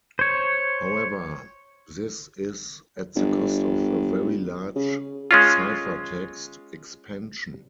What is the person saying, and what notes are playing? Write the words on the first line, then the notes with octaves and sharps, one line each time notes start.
However, this is at the cost of a very large ciphertext expansion.
C5 C#5
G1
C#3
G#3 C#4 F4